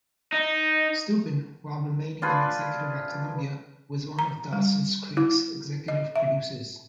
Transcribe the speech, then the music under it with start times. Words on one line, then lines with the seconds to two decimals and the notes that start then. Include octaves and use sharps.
Stupin, while remaining an executive at Columbia, was one of "Dawson's Creek's" executive producers.
0.33 D#4
2.22 D4 F4 G#4 B4
4.19 A#5
4.53 G3
5.17 E4
5.88 D#5
6.16 E5